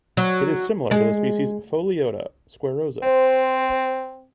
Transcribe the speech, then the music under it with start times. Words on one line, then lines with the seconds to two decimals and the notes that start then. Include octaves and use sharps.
It is similar to the species "Pholiota squarrosa".
0.17 F#3
0.91 G#3
3.03 C4 C5